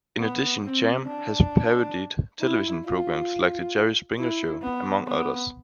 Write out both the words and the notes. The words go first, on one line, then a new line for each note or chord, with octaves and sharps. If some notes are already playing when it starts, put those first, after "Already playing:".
In addition, Cham has parodied television programs like "The Jerry Springer Show," among others.
B3
C4
D4
E4
F4
E4
B3
B3